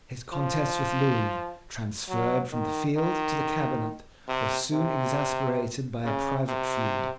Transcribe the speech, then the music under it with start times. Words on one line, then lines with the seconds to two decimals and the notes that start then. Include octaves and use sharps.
His contest with Lewis, transferred from the field to the cabinet, was soon exasperated by a private feud.
0.33 F3
2.09 F#3
2.52 D#3
2.97 D#3
4.29 C3
4.73 C3
6.04 C#3
6.48 C3